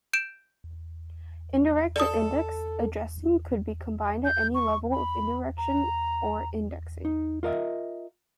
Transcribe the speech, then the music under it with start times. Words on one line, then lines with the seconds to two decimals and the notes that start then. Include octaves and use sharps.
Indirect and indexed addressing could be combined at any level of indirection or indexing.
0.13 G6 D7 E7
1.96 A4 D5 D#6
4.25 G6
4.55 C#6
4.92 B5
5.58 A#5
7.05 D#4
7.43 F4 A#4 D#5 E5